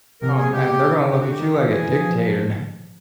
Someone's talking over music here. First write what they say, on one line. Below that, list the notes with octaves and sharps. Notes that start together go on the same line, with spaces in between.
Oh man, they're gonna look at you like a dictator now.
C3 A#4
G#4
C#3 G4
D3 G4
F#4
G4
D#3
E3 G#4
F3